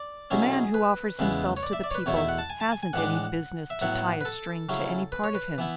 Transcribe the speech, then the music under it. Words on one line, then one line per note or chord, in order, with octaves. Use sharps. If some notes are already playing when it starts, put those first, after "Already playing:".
The man who offers himself to the people hasn't any business to tie a string to any part of him.
Already playing: D5
B2 F#3 C#4 E4 G#4
A4
G#4
B4
E2 C#3 G#3 B3 E4
C#5
D5
E5
D5
C#5
B4
E2 B2 A3 E4 C#5
E5
F#5
A5
G#5
A5
G#5
G#5
A2 E3 G#3 D4 F#5
E5
A2 F#3 B3 E4 F#5
B4
A4
C#3 F#3 C#4 E4
B4
C#5
B4
E3 B3 E4